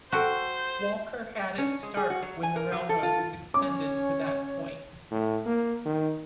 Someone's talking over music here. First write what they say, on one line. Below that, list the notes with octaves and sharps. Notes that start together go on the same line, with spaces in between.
Walker had its start when the railroad was extended to that point.
F#4 A4 C5 G5 A5
C#4
G#3
G#4
F#4
F#3
G#5
A#4
F#3
A4
F4
C#4 C#5 D6
A2
A#3
D#3